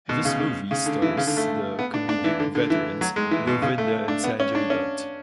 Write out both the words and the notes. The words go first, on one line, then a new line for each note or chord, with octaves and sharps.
This movie stars the comedic veterans Govinda and Sanjay Dutt.
B2
C#3
C#3
C#3
D3
E3
C#3
D3
A3
B3
D4
D4
E3
D3
D3
E3
F#3
G#3
E3
B2
C#3
A3
D4
B3
C#4
D4
C#4